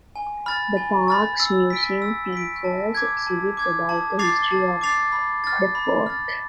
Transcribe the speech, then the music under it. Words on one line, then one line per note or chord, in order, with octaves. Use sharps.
The park's museum features exhibits about the history of the fort.
G#5
B5 F6 A6
G#5
B5 F6 A6
E6
B6 D7
E6
B6 D7
A5
D6 G#6
A5
D6 G#6
A5
D6 A6 C7 F7
A5
D6 A6 C7 F7
B5
F6 A6
B5
F6 A6